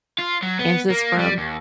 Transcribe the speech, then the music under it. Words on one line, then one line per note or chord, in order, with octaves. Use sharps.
And just from
F4
F#3
B3
A#3
G3
D#2